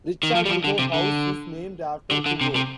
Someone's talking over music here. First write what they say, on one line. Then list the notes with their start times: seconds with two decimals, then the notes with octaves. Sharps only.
Richard Hugo House is named after Hugo.
0.23 D#3
0.35 F3
0.45 G3
0.49 F3
0.64 D3
0.79 C3
0.94 D3
2.11 D3
2.26 D3
2.41 C3
2.56 C3